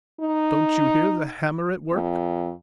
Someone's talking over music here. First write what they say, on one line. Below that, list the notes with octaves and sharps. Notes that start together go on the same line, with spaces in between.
Don't you hear the hammer at work?
D#4
F2